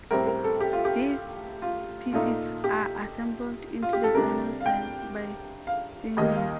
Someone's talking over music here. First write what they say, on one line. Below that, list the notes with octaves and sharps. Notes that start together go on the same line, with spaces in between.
These pieces are assembled into the final size by seaming.
A2 G3 C4 A#4
A#4
A4
G4
F4
G4
F4
A#2 A3 D#4 F4
G4
F4
G4
A4
C3 G3 D4 A#4
F5
G5
F5
D#2 D#3 G3 A#3 D#5
F5